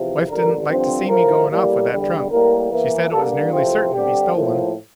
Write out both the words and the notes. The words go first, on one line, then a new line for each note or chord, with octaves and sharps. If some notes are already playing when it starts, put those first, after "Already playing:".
"Wife didn't like to see me going off with that trunk--she said it was nearly certain to be stolen."
Already playing: E2 C3 F3
A1 G2 D3 A#4
G2 D3 F3 C4
A#1 A2 F3 A#4
A2 G3 A#3
E2 D3 G3
A2 G3 A#3 A#4
E2 E3 A#3
G2 D3 G3 A#3 A4
E2 C3 F3 A3 C4 F4
G2 D3 G3 C4 G4
A2 F3 A#3